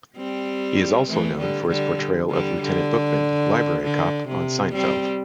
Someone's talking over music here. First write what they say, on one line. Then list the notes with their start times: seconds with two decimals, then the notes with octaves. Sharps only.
He is also known for his portrayal of Lieutenant Bookman, Library Cop on "Seinfeld".
0.17 G3 C4
1.09 E3 A3
1.38 D3 G3
1.69 D3 G3
2.30 D3 G3
2.61 D3
3.83 D3
4.29 C3
4.74 G3 C4